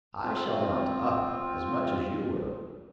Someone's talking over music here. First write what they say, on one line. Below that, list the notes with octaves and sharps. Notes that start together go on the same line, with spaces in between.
"I shall mount up as much as you will."
C4 F4